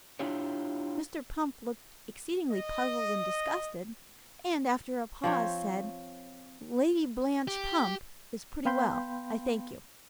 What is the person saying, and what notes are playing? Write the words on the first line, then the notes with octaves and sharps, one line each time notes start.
Mr. Pump looked exceedingly puzzled and disgusted, and, after a pause, said, 'LADY BLANCHE PUMP' is pretty well, I thank you.'
D4 E4 F4 G4 C#5
D#5
F3 C4 C#5
G4
B3 F5 G5 B5 C6 G6